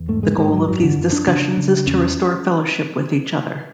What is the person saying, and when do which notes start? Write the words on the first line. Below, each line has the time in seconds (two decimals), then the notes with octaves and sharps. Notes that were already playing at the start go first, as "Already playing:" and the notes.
The goal of these discussions is to restore fellowship with each other.
Already playing: E2
0.08 G#2 A3
0.23 G#3
0.38 G#2 G#3
0.53 F#3
0.68 F#2 F#3
0.83 D3
0.98 F#2
1.13 D4
1.27 C#3 D4
1.57 C#3
1.87 E2 C#4